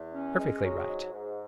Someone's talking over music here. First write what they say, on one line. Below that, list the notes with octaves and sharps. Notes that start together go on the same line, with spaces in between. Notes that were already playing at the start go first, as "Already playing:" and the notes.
Perfectly right.
Already playing: E2
C#4
G#3
F#3
G#2
G#2